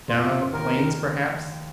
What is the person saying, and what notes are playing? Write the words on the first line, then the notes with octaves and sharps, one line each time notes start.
Down on the plains, perhaps?
F1 F4
F1
D#2 A#4
D#3